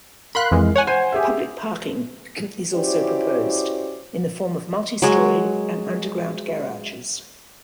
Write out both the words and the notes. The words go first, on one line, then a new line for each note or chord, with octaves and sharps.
Public parking is also proposed in the form of multi-storied and underground garages.
A#4 F5 B5 C6 F#6
F2 E3 G#3
C#5 F#5 G#5
C5 F#5 G#5
G4 G#4 E5
C#4 E4 F#4 G4 C5 D5
F#3 G#3